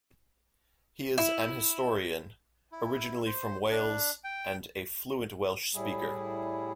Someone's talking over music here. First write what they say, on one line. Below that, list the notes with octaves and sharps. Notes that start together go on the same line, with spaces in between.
He is an historian, originally from Wales and a fluent Welsh speaker.
E4
E4
C5
D4
G5
A2 G3 E4 G#4